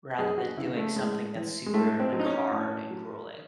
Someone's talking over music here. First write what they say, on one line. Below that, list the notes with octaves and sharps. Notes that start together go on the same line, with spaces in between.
rather than doing something that's super, like, hard and grueling.
F#2 G#4
F#4
C#3 E4
A3
A2 G#3
E3
G#3
A2 A3
C4
F#3
D#4
C#4
A2
F#3